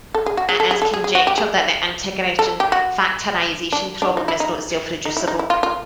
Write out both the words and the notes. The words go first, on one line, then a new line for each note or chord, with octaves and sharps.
It is conjectured that the integer factorization problem is not self-reducible.
A4
G#4
F#4
G#4
A4
G#4
A4
G#4
G#4
F#4
G4
G#4
A4
G4
F#4
D4
D4
D#4
E4
D#4
D#4
E4
D#4
E4
F4
F4